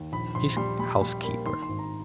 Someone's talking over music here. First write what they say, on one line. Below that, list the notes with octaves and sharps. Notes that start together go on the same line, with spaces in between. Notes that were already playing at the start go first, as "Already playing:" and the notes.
She's housekeeper.
Already playing: D#2
A#1 B5
A#1 C6
G3 C6
G3 B5
G3 B5
A#3 B5
D#3 C6
C6
G#1
A#5